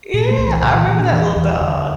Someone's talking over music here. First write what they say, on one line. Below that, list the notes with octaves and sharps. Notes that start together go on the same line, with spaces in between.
yeah, I remember that little dog,
A#2
A3
C2
E3
A#2 D3
E3
A#2 E3
D4
E2 E3
E2 E3
E2 D3